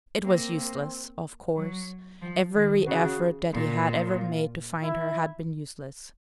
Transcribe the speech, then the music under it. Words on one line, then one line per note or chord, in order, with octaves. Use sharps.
It was useless--of course--every effort that he had ever made to find her had been useless.
A#3 C4
F#3
F3
D#3
C#3 F#4
A#2
F4
E4